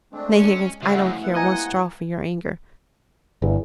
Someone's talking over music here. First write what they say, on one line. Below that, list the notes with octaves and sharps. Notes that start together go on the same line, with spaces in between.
Nay, Higgins, I don't care one straw for your anger.
G#3 A3 C4 D4
C#4
A2 C#3 F3 G#3 F#4 E5 F#5
B3 E4 F#5
F3 G#3 G4 D#5 G#5 A#5 G#6
G1 E2